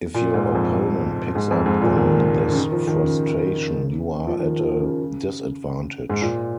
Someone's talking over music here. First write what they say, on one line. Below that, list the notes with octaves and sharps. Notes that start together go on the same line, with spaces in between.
If your opponent picks up on this frustration, you are at a disadvantage.
A#2
G#2
F2
G#2
F2
G#2
A#2
D#3
C#3
D#3
F3
D#3
C#3
F3
D#3
F3
C#3
G#2
A#2